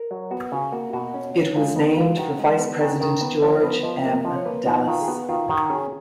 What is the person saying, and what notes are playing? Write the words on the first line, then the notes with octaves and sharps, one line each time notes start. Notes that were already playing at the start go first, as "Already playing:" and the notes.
It was named for Vice President George M. Dallas.
Already playing: A#4
F#3
B3 F#4
C#3
A#3 F#4
B2 F#4
C#4
C#4
G#3 F4
B3 D#4
G#3 F4
D#3 F#4
G#3
B3
D#3 G#4
D#3 A#4
B3 B4
F3 C#5
B3 B4
F3 D#5
A#3 D#5
F3 D#5
C#5
A#3 B4
F3 D#4
D#3 F4
G#4
B3 F#4
D#3 F4
D#3 F#4
C#4 G#4